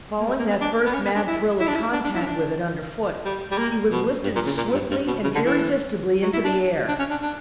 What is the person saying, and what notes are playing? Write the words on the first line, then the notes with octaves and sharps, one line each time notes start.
Following that first mad thrill of contact with it underfoot, he was lifted swiftly and irresistibly into the air.
A#3
G3
A#3
B3
D4
B3
C#4
B3
D4
E4
E4
D4
E4
D4
D4
E4
C#4
D4
G3
G3
A#3
B2
G2
A#2
C#3
A#2
G2
G2
B2
C#3
D3
E3
F#3
E4
D4
D4
C#4
D4
D4